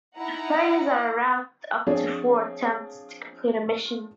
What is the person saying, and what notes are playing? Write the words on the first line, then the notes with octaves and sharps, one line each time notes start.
Players are allowed up to four attempts to complete a mission.
D#4 E4 F#5 A#5
F3 C4 D4 G#4 C#5